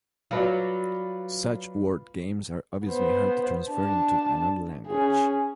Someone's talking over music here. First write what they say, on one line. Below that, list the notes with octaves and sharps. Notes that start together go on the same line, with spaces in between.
Such word games are obviously hard to transfer into another language.
F#3 F4 B4 D5
B3 C5
D4 A5
C#4 G#4